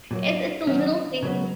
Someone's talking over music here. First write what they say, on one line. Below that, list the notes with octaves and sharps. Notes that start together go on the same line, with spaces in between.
It's it's the little things
A#2 F#3 A#3
D#3 F#3 C#4
C#3 F#3 B3